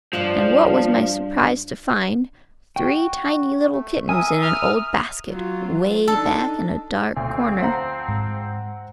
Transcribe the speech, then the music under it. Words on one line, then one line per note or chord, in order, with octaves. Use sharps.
"And what was my surprise to find three tiny little kittens in an old basket, 'way back in a dark corner!"
G2 F3 D4 E5
F#4 G5
A3
A#4 E5 G#5 D#6
D#6 F6
F#3 F4
D4 D#4 A4
D2 F3 C4
C5 F#5 A#5
G#2 G#3